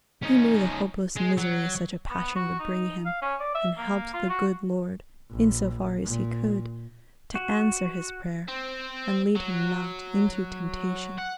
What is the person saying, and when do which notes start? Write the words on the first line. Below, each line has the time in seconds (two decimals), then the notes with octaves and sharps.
He knew the hopeless misery such a passion would bring him, and helped the good Lord, in so far as he could, to answer his prayer, and lead him not into temptation.
0.22 C#4 D#4
1.16 G#3
1.37 F#3
2.10 B3
2.36 F#4
2.59 D#4
3.05 F5
3.22 C#4
3.40 D5
3.55 E5
3.78 A#3
4.14 F4
4.30 F#4
5.30 A#1
6.04 A#2
7.35 F#4
8.48 C4
9.36 F#3
11.18 F#5